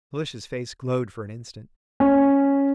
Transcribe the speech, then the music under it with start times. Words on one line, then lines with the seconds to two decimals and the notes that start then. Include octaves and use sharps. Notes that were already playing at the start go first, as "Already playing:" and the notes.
Felicia's face glowed for an instant.
2.00 C#4